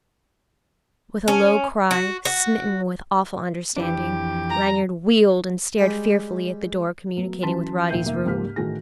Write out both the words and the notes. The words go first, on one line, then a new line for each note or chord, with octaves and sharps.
With a low cry, smitten with awful understanding, Lanyard wheeled and stared fearfully at the door communicating with Roddy's room.
C#4
F#4
F#4
F2 E3 D4 G4
A#5
G3 G#3 B5
F#3 A3 B3
E3 F#3 C#4 A5 C6 B6
D#1 D#2 E5 G6 C7 D#7
F1 D#2 A#3 E5
C#2 G#2 A#3 G4 F6 B6
A1 D#3 A3 F#4 G#4 A#6